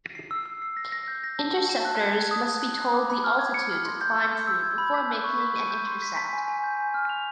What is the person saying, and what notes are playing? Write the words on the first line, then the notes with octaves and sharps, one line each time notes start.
Interceptors must be told the altitude to climb to before making an intercept.
C7
E6
E6
C7
A#6
A#6
G6
A#6
A5
A5
A5
F#6
G#6
G#6
D#6
D#6
F#6
F#6
D6
B5
F6
G#6
C#7
F6
C6
G6
G6
G6
E6
G#6
B5
B6
F#6
C#6
B6
D#7
G6
C6
B6
B6
G#5
G#5
G6
G#5
F6
F7